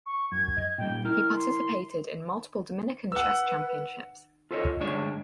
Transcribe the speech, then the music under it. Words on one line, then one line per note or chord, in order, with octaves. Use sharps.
He participated in multiple Dominican Chess Championships.
C#6
F#2 G#6
D#5
A#2 G3 G5
E4 A#4 F6
C6
B4 F#5 E6
F4 A4 B4 C#5 D#5
D2 G2 G#3 D4 C#5 D5